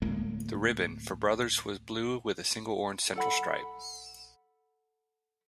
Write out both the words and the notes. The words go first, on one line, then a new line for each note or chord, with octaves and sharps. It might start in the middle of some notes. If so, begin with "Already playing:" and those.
The "ribbon" for Brothers was blue with a single orange central stripe.
D1 A2 G#3 A#3
A4 F#5 B5